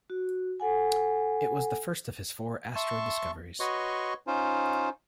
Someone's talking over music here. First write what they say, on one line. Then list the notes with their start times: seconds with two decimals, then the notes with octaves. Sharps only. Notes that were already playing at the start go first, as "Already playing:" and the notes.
It was the first of his four asteroid discoveries.
0.10 F#4
0.60 A4 F#5 G#5
2.75 E5 A5 C6 C#6
3.60 F#4 B4 C#5 D#5 C6 C#6
4.27 C#4 D#4 F4 C5